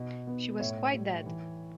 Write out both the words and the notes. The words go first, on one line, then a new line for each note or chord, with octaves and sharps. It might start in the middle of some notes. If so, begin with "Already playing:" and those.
She was quite dead.
Already playing: B2 B3
B3
A2 C#5 E5
G3
E3